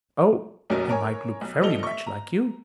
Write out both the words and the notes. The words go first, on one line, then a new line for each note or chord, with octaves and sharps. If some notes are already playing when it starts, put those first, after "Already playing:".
"Oh, he might look very much like you."
F#1 B1 F#2 B2 F#3 A#4
A#4 C#5 G#5
B1
A#1 F3 A4 D#5 F7 G7
E5 C#6
A#5